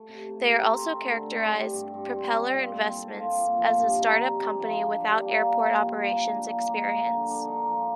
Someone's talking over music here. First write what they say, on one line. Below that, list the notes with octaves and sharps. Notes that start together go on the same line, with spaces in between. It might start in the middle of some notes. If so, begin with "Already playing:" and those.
They also characterized Propeller Investments as a startup company without airport operations experience.
Already playing: A3
C3
C3
A#4
C4
A3
D3
C4
G3
G2
G2
C4
C4
A#2
C4
A4
F4
A#2
F3
G2
D#4
C3
C3
F3
D4
G3
A#3
A#3
G3
F3
A#3
D4
A#3
A#3
A#3
D3
D4
D#4
F3